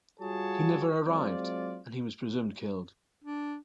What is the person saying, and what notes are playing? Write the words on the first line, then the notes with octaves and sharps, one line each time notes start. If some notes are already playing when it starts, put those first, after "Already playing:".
He never arrived, and he was presumed killed.
G3 F4 F#4 G#4 C#5 A5
F#3 G#3 C4 F4 D5
D4